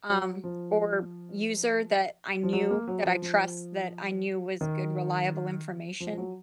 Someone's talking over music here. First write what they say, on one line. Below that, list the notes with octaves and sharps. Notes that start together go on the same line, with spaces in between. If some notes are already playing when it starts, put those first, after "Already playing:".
um, or user that I knew that I trust, that I knew was good reliable information,
F#3
F3
F3
F#3
A#3
F#3
F3
F3
D#3
F3
F3
F#3